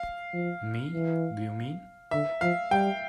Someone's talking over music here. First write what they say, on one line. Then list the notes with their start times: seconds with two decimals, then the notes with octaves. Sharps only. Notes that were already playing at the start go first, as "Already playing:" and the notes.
Me, do you mean?
Already playing: F5
0.33 F3
0.92 E3
2.11 D3 E5
2.41 F3 F5
2.71 G3 G5